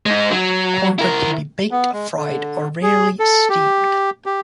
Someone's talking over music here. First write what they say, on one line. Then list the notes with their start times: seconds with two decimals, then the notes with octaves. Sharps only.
Cornbread can be baked, fried or, rarely, steamed.
0.06 G#3 D#4
0.31 F#3
0.99 E4 A#4
1.71 B3
1.93 G#3
2.17 D3
2.82 G#4
3.20 A4
3.49 G4
4.26 G4